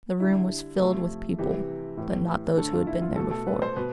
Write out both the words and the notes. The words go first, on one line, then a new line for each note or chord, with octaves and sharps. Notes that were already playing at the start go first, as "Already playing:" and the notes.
The room was filled with people, but not those who had been there before.
D3 G3 E4
C3 F3 A3
C3 E3 G3 G4
A2 E3 G3
D3 A3 A4
F4
E4
F4
B2 A3 A4
A4
B4
C5
B2 B4